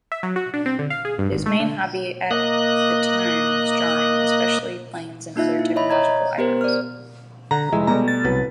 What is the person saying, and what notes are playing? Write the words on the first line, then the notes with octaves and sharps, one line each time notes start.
His main hobby at the time was drawing, especially planes and other technological items.
E5
F#3
F#4
D4
C4
D3
F5
G#4
G2
G#1
A3
D3
A#3 D#5 F#6
A#3 D#4 F4 E5
E4
C#5 D#5 E5 B5
C#5 D#5 A#5 G#6
B3 G4 A#4 C5
D5 F6
D3 F#5 A#5
F1 G#3 E4 E5
B2 G3 A3 A#5
A6
C2 F#3 B4